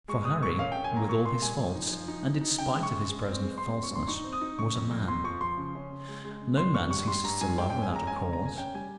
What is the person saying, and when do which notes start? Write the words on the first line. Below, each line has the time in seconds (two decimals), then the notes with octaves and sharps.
For Harry, with all his faults, and in spite of his present falseness, was a man. No man ceases to love without a cause.
0.08 G#3 C#6
0.25 G#3 D#6
0.42 A#2 C#6
0.58 C#4 F5
0.72 C#4 G5
0.84 G#5
0.91 A#2
0.97 A#5
1.08 A#2 C#6
1.25 A#2 C6
1.42 G3 G#5
1.58 F3
1.75 D#4
1.91 F3
2.08 D#4
2.25 D#4
2.41 D#4
2.58 C#3 G5
2.75 G#3
2.83 C#6
2.91 C#3
3.09 G#3
3.26 C4
3.42 G#3
3.58 C4 C6
3.70 C4 C6
3.83 C#6
3.91 G2 C6
4.08 D#4 C#6
4.24 C4
4.33 D#6
4.41 D#4
4.58 C#3 C#6
4.75 F2
4.91 F2
5.08 F2 C6
5.24 F3 C#6
5.41 F3 C6
5.58 C#3
5.75 C#4
5.91 C#3
6.08 G#3
6.24 G#3
6.41 C#3
6.57 G2 C6
6.74 G2 C#6
6.90 G3 C#6
7.07 G3 C6
7.24 G2 A#5
7.41 G2 G#5
7.57 G#3 G5
7.70 C#4 G5
7.83 G#5
7.91 G#3 A#5
8.07 C#4 G#5
8.20 C#3 A#5
8.33 A#5
8.40 C#3
8.46 G#5
8.57 C#4 G5
8.74 G3 G#5